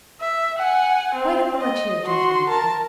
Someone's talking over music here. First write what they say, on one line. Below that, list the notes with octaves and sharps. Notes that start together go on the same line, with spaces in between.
Quite a collection of gentlemen--Mr.
E5
F#5 G#5
C4
D#5
F#4 C6
A#4 A5